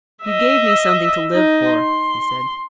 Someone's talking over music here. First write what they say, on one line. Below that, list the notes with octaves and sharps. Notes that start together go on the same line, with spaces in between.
"You gave me something to live for," he said.
D#5 E5
D#4
C6